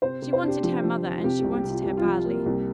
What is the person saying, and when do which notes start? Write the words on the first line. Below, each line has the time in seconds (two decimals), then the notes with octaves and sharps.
She wanted her mother and she wanted her badly.
0.02 C3 C5
0.22 C3
0.33 C5
0.43 D4 G4
0.63 F3 G4
0.84 F3
1.03 C3
1.18 F4
1.24 C3 G4
1.39 C2 G4
1.54 G4
1.65 C3
1.70 F4
1.83 C2 G4
1.97 F4
2.05 F3
2.25 A#3
2.45 C2 G4